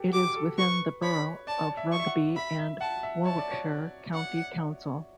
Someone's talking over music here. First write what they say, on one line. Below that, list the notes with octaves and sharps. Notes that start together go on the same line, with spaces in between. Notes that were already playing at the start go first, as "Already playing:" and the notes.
It is within the borough of Rugby and Warwickshire county council.
Already playing: G4 A4 B4
F#4
G4 D6
A4
B4 C#6
C#5 B5
D5 A5
E5
C#6
E5
F#5
E5 B5
E5
F#5 A5
E5
C#5 A5
D5
C#5
F#5